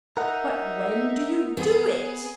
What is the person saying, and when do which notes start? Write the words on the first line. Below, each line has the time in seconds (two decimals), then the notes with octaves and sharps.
"But when do you do it?"
0.17 D#4 A#4 E5 F#5
1.57 B3 G#4